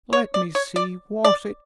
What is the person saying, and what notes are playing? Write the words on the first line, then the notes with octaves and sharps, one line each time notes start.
Let me see--was it?
C#5
D5
C#5
D5
D5